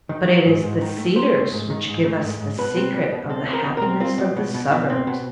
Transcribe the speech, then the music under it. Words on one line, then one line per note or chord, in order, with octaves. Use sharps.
But it is the Cedars which gives us the secret of the happiness of the suburbs.
D#3
F#3
G#2
G#2
D#3
A3
D#3 C5
A3
G#2
D#3
G#2
A3
G#2
G#2
B2 B4
C4
G3
B2
C4 A4
C4
A#4
B2
A#4
C4
C4 F4
B2
B2
B2
B2
C4
B2